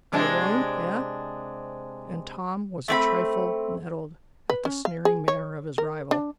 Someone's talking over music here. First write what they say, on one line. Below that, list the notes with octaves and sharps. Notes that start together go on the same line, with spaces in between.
"I won't, eh?" and Tom was a trifle nettled at the sneering manner of his rival.
C3 G#3 D4
A3 C4 B5
B4
C#4
F5
G#4
C#5
A#4
D4